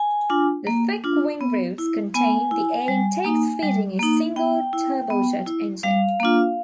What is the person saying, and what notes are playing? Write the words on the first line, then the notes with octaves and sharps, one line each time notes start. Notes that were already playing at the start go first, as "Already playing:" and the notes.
The thick wing roots contained the air intakes feeding a single turbojet engine.
Already playing: G#5
D4 F4
A#3
D4 F4
B3
E4
B3 G#5
E4
G3
A#3 D#4
G3
A#3 D#4
B3 G5
E4
B3
E4
G3 F5
A#3 D4 F4